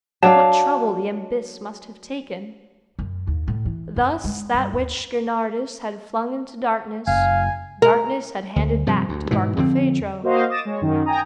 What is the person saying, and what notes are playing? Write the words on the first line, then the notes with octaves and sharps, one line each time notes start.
What trouble the abyss must have taken! Thus that which Gernardus had flung into darkness, darkness had handed back to Barkilphedro.
F#3 D4 F5 A5
F#2
D#2
A2
E3
F#2
G#3
G2
D#2
F#1 F5 G#5
A#4
D2
G2 C3 F3
D2
G#2 B2 E3
F2 D3 C4
A#3 F#4 C5 D#5 F5
D6 D#6 A6 A#6 D#7 E7
G#3 C#5
F#2 D#3
G5 G#5 A#5 D#6